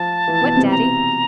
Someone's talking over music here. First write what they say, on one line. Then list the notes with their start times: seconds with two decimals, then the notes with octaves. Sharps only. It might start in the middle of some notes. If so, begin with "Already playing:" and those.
"What, daddy?"
Already playing: F3 F4 A5
0.27 E3 E4
0.41 B2 B3
0.56 C3 C4
0.71 A#5